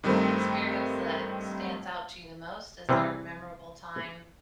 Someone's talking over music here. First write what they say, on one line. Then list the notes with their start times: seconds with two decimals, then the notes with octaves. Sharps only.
experience that stands out to you the most? Is there a memorable time
0.04 G2 D#3 G3 A3 C4
2.89 C3 E3 G3 G#4